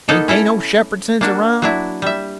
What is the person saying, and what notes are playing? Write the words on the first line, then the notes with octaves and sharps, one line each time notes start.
"Ain't they no Shepherdsons around?"
A#3 B3 D#4 A4
C#4 E4 A4
A#3 D4 F#4
F#3 D4 E4
G3 E5